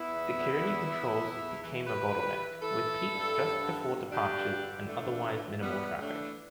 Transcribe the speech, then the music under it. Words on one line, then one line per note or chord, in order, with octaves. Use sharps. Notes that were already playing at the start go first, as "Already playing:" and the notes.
Security controls became a bottle-neck, with peaks just before departures and otherwise minimal traffic.
Already playing: B3 E4
E2
E2
E3
E3
E3
E2
E3
E3 G4 B4
G2
E3
E3 E4 A4
E3
G2
G2
D3
G2
D3 D4 G4
G2
D3
E3 A3 D4
E3
E3
E3 G3 B3
A2
A3 D4
E3